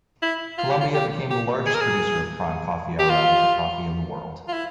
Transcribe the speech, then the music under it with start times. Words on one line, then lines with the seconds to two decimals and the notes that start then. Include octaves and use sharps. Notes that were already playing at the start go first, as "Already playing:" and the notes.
Colombia became the largest producer of prime "Coffea arabica" coffee in the world.
0.22 E4
0.58 F4
0.71 G4
0.81 F4
0.94 G4
1.31 G4
1.66 G#4
1.74 A#4
1.81 G#4
2.99 G4
3.10 F4
4.48 F4
4.54 E4